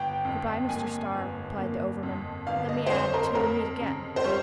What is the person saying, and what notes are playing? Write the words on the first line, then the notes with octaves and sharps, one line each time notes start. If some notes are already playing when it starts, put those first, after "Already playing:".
"Good-by, Mr. Starr," replied the overman, "let me add, till we meet again!"
Already playing: G1 G5
F2
A#3 G#5
G1
A#3
F2
G1 F5
D#5
C5
F2 C#5
A#4
F2 A#4
C#3
C5
G3 C#5